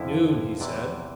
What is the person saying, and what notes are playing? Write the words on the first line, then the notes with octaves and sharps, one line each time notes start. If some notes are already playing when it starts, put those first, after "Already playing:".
"Noon," he said.
Already playing: F2 D3 F3 E4
E2 C3 E3 D5